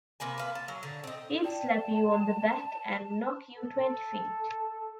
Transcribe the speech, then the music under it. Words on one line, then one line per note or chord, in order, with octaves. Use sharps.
He'd slap you on the back and knock you twenty feet.
C3 A#3 B4 G#5
B4 F5
A5
F#3
D3
C4 D#5
D5 G5 A5
A4